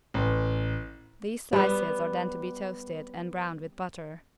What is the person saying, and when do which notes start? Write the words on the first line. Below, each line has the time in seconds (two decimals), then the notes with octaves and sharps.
These slices are then to be toasted and browned with butter.
0.14 A1
1.53 G3 B3